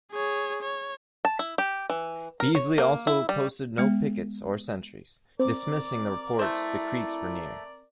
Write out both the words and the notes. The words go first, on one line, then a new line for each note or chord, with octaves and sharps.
Beasley also posted no pickets or sentries, dismissing the reports the Creeks were near.
G#4 C#5
C#5
A5
E4
G4
E3
A#4
C#5
A#3
E4
G3
G#3 B3
C4 A#4 D5 D6
A3 E4 C5